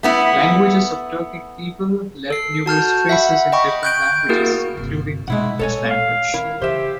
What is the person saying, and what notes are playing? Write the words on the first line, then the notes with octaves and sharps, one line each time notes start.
Languages of Turkic peoples left numerous traces in different languages, including the English language.
A3 B3 E4
A4 C7
F#4 A5 F6 G6
E5 F#5 B5
D#5 G5 B5 C#6
F#6 G6 D7
A#3 E4 F#4 G#4 A#4
G1 C3
B2 G#3 D#4 E4 F#5
A#2 G#3 A4 C#5 G#5
F5
D#3 E4 A#4
C#3 E3 G4 C5 E5